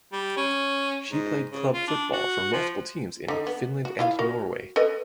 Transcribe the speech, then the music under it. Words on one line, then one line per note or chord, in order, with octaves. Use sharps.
She played club football for multiple teams in Finland and Norway.
G3
C#4
G#2
C#3
F4
D4
F#4
F3
D3 D#4
B3
F#4
E4 F4 F5
F#4 A#4
A4 B4 D#5